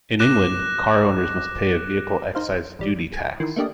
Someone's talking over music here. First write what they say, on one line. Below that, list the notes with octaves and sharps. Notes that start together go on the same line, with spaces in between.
In England, car owners must pay a vehicle excise duty tax.
D6 F#6 A#6 E7
D#4 C5 F5
A1 G3
G#5
D#3 E3 C6
A3 A#3 D4 G4 D#5